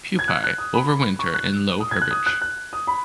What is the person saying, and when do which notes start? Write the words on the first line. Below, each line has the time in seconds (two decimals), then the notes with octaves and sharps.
Pupae overwinter in low herbage.
0.19 G#6
0.28 F#6
0.44 F#6
0.58 D#6
0.74 B5
1.19 C#6
1.34 F#6
1.80 D#6
1.91 G#6
2.02 F#6
2.11 D#6
2.26 F#6
2.42 F#6
2.73 D#6
2.87 B5